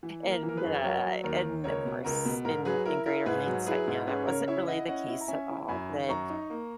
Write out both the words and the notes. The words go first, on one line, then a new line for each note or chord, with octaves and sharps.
and, uh and, of course, in in greater hindsight now, that wasn't really the case at all, but,
E3
A#3
A#4
E3
A#4
G#4 B4
F#2
F#3 A#4 C#5
F#3
D#2 A#4
D#2
C#2 A#4 C#5
B2
C#2 A#4
B2
G#2 A#4
F#3 G#4 B4
E4 A#4
E4 A#4
G#2 G#4 B4
F#3
E4 G#4 B4
G#2
C#4 G#4 B4
C#3 A#4 C#5
E4 C#5 E5
E4 D#5 F#5
C#4 D#5 F#5
E4
A#5
C#4 E5 G#5
E4
F#2 G#5 B5
D#3
F#2 A#5 C#6
D#4
A#3